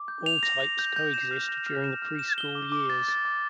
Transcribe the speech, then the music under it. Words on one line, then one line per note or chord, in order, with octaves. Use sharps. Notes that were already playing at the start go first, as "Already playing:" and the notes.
All types coexist during the preschool years.
Already playing: D6
G6
F7
A#6
F7
G6
G6
E7
F6
A#6
F6
E7
F6
E7
G7
D6
D6
A6
A6
D6